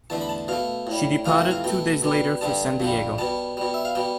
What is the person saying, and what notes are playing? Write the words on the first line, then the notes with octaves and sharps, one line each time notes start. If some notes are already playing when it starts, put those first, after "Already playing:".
She departed two days later for San Diego.
E2 D3 A3 A5
B5
A5
B2 A3 F5
A2 G3
F2 C3 E3 A3 F5
E5
F5
B2 A3 G5
B2 G3
G2 D3 G3 A5
F2 D3 G3
B2 G3 A5
B2 G3
E5
F5
B2 G3 G5